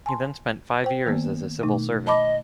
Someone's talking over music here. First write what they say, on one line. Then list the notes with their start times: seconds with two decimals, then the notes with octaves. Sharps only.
He then spent five years as a civil servant.
0.06 G#5 A5 C6
0.84 C5 G5
1.06 D#3 A#3 B3
1.63 B2 A3 D#4
2.07 D#5 A5 B5 D6